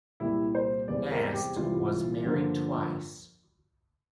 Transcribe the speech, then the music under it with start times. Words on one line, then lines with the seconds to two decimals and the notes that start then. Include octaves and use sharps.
Nast was married twice.
0.20 C2 A#2 G3 E4
0.55 C5
0.88 E2 C3 G3 C4 D5
1.11 A#4
1.33 G4
1.56 C2 C3 E3 G3 F4
2.24 G2 D3 F3 A#3